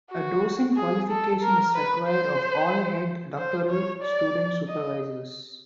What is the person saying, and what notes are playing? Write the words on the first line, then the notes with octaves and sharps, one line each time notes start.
A docent qualification is required of all head doctoral student supervisors.
F#4
G#4
A4
A#4
B4
C5
C5
C#5
D5
D#5